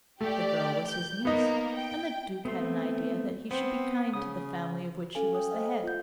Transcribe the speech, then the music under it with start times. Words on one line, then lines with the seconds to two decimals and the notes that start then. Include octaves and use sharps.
The girl was his niece and the Duke had an idea that he should be kind to the family of which he was the head.
0.21 A3 G4 D5
0.87 G6
1.25 A#3 B3 D#4 A#4
1.76 G5
2.45 A3 B3 C4 C6
3.51 B3 C4
4.13 C#3 D#6
5.15 C#4 A4 F5 G#5
5.35 G5 G#5 D#6
5.51 C5 D#5 F5
5.83 F4 G6